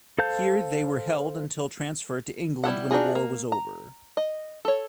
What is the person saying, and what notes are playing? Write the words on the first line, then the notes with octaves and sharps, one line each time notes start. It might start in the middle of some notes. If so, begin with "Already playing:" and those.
Here they were held until transferred to England when the war was over.
A4 C5 F5 A5 G6
G3 E4 A4 F#5
D4 D#4 F4 F#4 G#4
A#3
A#5
D#5
A4 C#5